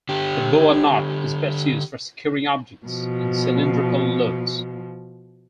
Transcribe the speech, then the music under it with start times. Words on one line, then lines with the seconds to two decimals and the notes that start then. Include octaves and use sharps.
The boa knot is best used for securing objects in cylindrical loads.
0.09 D3 G4
2.86 B2 F3